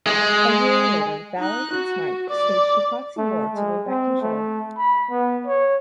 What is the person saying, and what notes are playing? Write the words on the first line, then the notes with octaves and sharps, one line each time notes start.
A year later, Ballard and Smythe staged a proxy war to win back control.
G#3
D#4 F#6
F#4
D5
A3
G#3
C4
A3
B5
B3
C#5